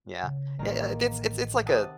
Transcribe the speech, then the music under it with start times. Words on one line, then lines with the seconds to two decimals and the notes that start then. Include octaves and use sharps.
Yeah. Ye uh, it's it's it's like a,
0.23 C#3
0.59 A1 D#3 G#3 A#3 A#5
1.65 C3 F#5 A5 D#6